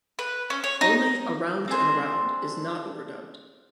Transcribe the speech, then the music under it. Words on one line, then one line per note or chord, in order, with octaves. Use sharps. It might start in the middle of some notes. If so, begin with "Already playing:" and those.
Only "Around and Around" is not overdubbed.
B4
C#4
C#5
D#4
C4 D4 G#4 C5